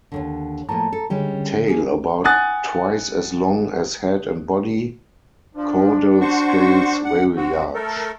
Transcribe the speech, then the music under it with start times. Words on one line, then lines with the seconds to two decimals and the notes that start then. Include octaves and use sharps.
Tail about twice as long as head and body; caudal scales very large.
0.12 D#2 G#2 D3
0.69 A2 F3 A#3 A5 A#5
0.93 A4
1.10 D3 G3 G#3 C#4
1.68 A#3 G#4
2.24 F#5 G#5 D#6 F#6 A6
5.55 F3 D4
6.21 F#4 C5 C#6
7.04 F#5
7.37 C4 F#4
7.74 A3 A4 A#4